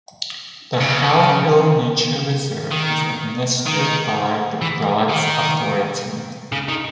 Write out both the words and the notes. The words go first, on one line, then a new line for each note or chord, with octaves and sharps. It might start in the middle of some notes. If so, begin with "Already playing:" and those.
The How Hill Nature Reserve is administered by the Broads Authority.
C#3
D#3
D#3
E3
D#3
C#3
D#3